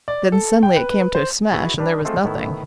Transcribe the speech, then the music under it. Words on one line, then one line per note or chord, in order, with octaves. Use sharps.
Then suddenly it came to smash, and there was nothing.
D5
A4
G5
B4
B4
C5
E4 F#4 G#4 B4 E5 G#5
G3 D4 B4
G#3 A3 C4 F4 G#4 A4
A2 D#3 B3 E4